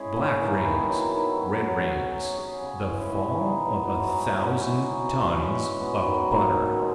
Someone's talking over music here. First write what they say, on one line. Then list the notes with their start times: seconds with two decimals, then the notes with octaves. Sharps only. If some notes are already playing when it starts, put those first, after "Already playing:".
Black rains--red rains--the fall of a thousand tons of butter.
Already playing: G#3 C#4 E4 G#4
0.17 C#3
0.41 E3 A#3
0.66 D#3
0.89 F#3 B3 E4
1.15 D#3
1.39 F#3 C#4 G#4
1.63 F#3
1.88 C#4 G#4
2.13 F#3
2.37 C#4 G#4
2.62 C#3
2.87 E3 G#3 C#4
3.11 E3
3.36 B3 D#4
3.61 E3
3.84 G#3 D#4 F#4
4.09 F#3
4.34 C#4 E4
4.59 G#3
4.83 D#4 F#4
5.08 E3
5.32 G#3 C#4
5.56 G#3
5.81 B3 F#4
6.06 D#3
6.31 A#3 D#4
6.55 B2
6.79 G#3